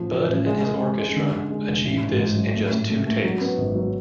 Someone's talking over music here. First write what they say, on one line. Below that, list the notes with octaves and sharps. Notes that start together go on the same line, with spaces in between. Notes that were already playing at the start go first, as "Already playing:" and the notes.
Budd and his orchestra achieved this in just two takes.
Already playing: A2 F3
F3
A1
G#3
G#3
G#3
G#3
D3
D3
G#3
F1
A1
G#2
G#2
F#3
A3
A2
A3
A3
F#3
B3
G#1
F#3